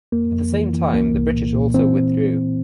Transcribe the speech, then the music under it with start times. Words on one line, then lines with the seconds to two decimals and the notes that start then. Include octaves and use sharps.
At the same time the British also withdrew.
0.12 F2 A#3
0.32 F2
0.53 E3
0.73 E3
0.93 C2 A#3
1.14 C2
1.34 A#2
1.55 A#2
1.74 E3 C4